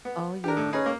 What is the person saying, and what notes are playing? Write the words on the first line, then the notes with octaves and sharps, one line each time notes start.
Oh, yeah.
B3
D4 G4 A#4
A2
C#4 D#4 G#4 B4
A#3